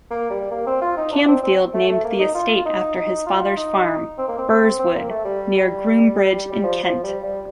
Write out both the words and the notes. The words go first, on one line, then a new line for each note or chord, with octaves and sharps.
Camfield named the estate after his father's farm, Burrswood, near Groombridge in Kent.
A#3
G3
A#3
C4
F4
D#4
D4
C4
C4
A3
A3
A#3
D#4
F4
D#4
D#4
F4
D#4
C4
A#3
C4
C4
C4
A#3
A3
G3
G3
F3
F3
G3
G3